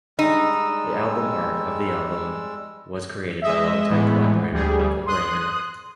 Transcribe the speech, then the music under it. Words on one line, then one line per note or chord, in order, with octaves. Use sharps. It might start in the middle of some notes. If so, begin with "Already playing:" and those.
The album art of the album was created by long-time collaborator Michel Granger.
G3 G#3 D#4 E6
G#3 D#5 E5
A2 E3 G#3 B3
D2 G3 G#4
C6 D#6 F#6